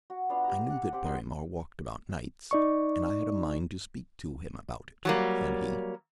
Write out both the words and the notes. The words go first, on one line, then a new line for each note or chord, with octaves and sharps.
"I knew that Barrymore walked about nights, and I had a mind to speak to him about it," said he.
F#4
B3 D4 F4 F5
G4 A#5
D5 F#5
C4 G4 F#5
D#4 A#4 C5
D#4 D5 C#6
F#3 G3 A#3